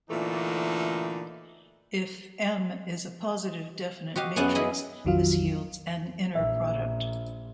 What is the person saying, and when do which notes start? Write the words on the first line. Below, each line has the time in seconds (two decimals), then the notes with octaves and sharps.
If "M" is a positive definite matrix, this yields an inner product.
0.10 A#2 D3 E3 A3 D4 D#4
4.16 F#4 G4 D#5 F5
4.36 F#2 B3 G#4 F#5 G#5
4.55 E4 G#4 D#5 B5
5.05 A#1 F2 D#3 F#3 F4 F5
6.35 A#1 A#2 E5